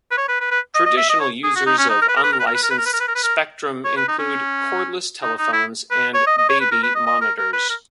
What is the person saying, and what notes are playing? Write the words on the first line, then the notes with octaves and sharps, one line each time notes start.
Traditional users of unlicensed spectrum include cordless telephones, and baby monitors.
B4
C#5
B4
B4
B4
D#5
D#5
E5
D#5
C#5
G#4
F#4
D#4
C#4
D#4
A#4
B4
A#4
B4
A#4
B4
A#4
B4
A#4
B4
A#4
B4
A#4
B4
A#4
B4
A#4
C#5
B4
D#4
C#4
D#4
D#4
E4
B4
C#5
D#5
D#5
C#5
B4
A#4
B4
D#5
D#5
A#4
A#4
B4
A#4